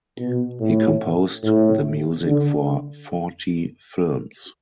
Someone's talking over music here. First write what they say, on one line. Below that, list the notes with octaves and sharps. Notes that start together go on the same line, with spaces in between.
He composed the music for forty films.
B2
A2
A2
D3